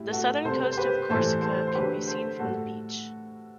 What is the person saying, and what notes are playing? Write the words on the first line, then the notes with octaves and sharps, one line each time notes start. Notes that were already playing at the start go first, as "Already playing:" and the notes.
The southern coast of Corsica can be seen from the beach.
Already playing: A2 G3 E4 G4
F#4 A4
C3 G3 A4 C5
C5
G4 B4
A2 E3 G3 A4 C5
A4 C5
C5
D3 F#3 A3 G4 B4
A4 C5
A2 G3 F#4 A4